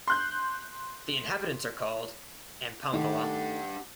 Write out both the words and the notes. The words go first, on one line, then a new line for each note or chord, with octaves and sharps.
The inhabitants are called "Amponvillois".
C6 F#6 G6
D#3 A3 D4 G4 F#5